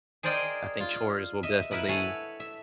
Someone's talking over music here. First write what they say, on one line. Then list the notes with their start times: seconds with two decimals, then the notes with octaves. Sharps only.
I think chores will definitely
0.23 G#4 A#4 C5 D5 D#5 G5
0.80 F4
1.43 D#5 E5
1.71 E4 A#4 B4 E5 F#5
1.89 A4 C#5 F#5 G#5
2.40 E5